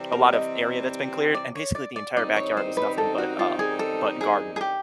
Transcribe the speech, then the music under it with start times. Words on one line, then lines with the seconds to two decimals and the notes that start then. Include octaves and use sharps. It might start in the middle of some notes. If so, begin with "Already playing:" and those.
a lot of area that's been cleared, and basically the entire backyard is nothing but, uh, but garden.
Already playing: C3 E3 G3 C4
0.12 A#4
0.33 D#5
1.34 D5
1.55 C#5
1.75 D5
1.96 D5
2.16 F#2 D#3 G3 C4 D#4 D5
2.36 C#5
2.57 C5
2.77 B4
2.98 A4
3.18 F#4
3.39 F4
3.59 G#4
3.79 A4
4.21 G#4
4.56 G#4
4.61 G4